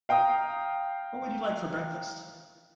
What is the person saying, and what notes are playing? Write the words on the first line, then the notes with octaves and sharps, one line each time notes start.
What would you like for breakfast?
F5 G5 A#5 D#6